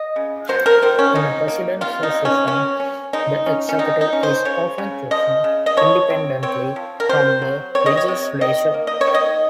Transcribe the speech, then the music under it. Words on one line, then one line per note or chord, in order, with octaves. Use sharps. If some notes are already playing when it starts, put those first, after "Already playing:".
In a presidential system, the executive is often chosen independently from the legislature.
Already playing: D#5
C#3
F#3 C5
A#4
D#3 C5
C#4
F#3 D#4
A#3
C3 F4
D#4
F#3
C#4
F#3 C#4
C#4
G#3 D#4
C#4
C#4
D#3 D#4
D#4
C#4
C5
C#3 C#5
C#3
F3 D#5
C#3
D#5
F3 C#5
C4
C4 C#5
F3
A#4
C3 C5
F#3
C4 C#5
D#5
C#5
C3
D#3 D#5
A#3
D#5
C#5
D#3
D#5